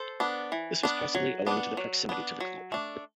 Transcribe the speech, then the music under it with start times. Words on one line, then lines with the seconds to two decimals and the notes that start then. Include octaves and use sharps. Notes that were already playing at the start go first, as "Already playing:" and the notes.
This was possibly owing to their proximity to the club.
Already playing: A4 C5
0.20 B3 D4
0.52 E3
0.83 B3 D4
1.15 F#3
1.47 B3 D4
1.77 F#3
2.09 B3 D4
2.40 F#3
2.72 A3 D4